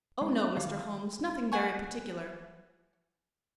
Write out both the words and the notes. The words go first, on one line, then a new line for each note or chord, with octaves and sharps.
"Oh, no, Mr. Holmes--nothing very particular."
G#3
D#3 E3 F5
F#5 G#5 C#6